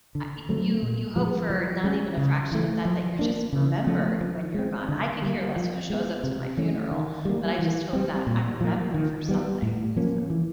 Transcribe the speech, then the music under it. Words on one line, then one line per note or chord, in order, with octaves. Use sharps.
uh, y you, you hope for not even a fraction of that, that you're just remembered when you're gone. I could care less who shows up to my funeral, but I just hope that I'm remembered for something, so.
D3
F#3 A3 C4
A#2
F3 G#3 B3
F3
G#3 C#4
C#3
E3 A3
F3
A#3 D4
C#3
F3 A3 C#4
F3
G#3 C4
D3
G3 A#3
F3
G#3 B3
C3
E3 A3 C#4
D#3
G3 A#3
E3
G3 C4
A#2
F3 A#3
D#3
G3 B3
A2
F3 A#3 C#4
E3